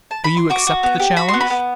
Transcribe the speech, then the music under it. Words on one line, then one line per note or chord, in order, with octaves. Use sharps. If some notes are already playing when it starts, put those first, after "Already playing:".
Do you accept the challenge?
A5
B5
C6
F#4 D6
F#4
B3
G4
F#4 B5
C6
B3
B5
B3